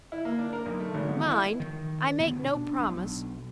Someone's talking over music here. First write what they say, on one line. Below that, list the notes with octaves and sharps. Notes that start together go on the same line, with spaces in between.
Mind, I make no promise!
E4
A#3
D4
A#4
B1
A3
G#1
B3
E4
D#3
D2 B2
D4
B1